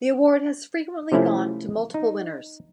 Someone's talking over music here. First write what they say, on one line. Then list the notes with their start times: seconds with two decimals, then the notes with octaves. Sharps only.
The award has frequently gone to multiple winners.
1.12 C3 F3 A3 C#4 E4
1.94 D#4